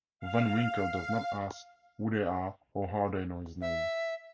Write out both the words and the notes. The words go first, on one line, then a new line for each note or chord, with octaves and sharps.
Van Winkle does not ask who they are or how they know his name.
F5
E5